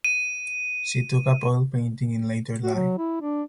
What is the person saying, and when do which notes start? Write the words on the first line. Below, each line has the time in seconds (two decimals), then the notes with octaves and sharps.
She took up oil painting in later life.
0.04 D#7
2.63 F#4
2.75 F#3
2.98 E4
3.22 D4